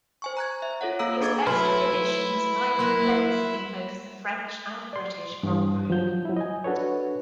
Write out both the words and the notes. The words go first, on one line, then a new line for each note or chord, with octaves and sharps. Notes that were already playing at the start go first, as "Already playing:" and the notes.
His best finish was ninth place in both the French and British Grands Prix.
C5 G#5 C#6
A#5 F#6 G#6
E5
F4 A4 C#5 F#5
A#3 A4 F5 A#5 E6 D7
A#3 D4 G#4 D6 G#6 A6
F#3 A3 E4 B4 C6 F6
F#3 A#3 A#4 C6 F#6
D5 C6
G2 E3
F3 F#3 G6
F#3 E4
D#5 G#5
D4 F#4 A4 B4 C#5